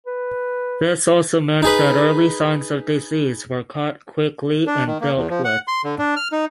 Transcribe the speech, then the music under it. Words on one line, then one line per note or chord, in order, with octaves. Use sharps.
This also meant that early signs of disease were caught quickly and dealt with.
B4
D#4 G#4 B4
D4
D#3
A#3
E2
F3
F#5
C6
D3
D4
F6
D#4